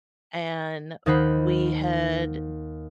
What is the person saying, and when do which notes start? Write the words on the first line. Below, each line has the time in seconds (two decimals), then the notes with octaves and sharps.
And we had
1.06 D#2 D#3 D#4 C5 F#5 B5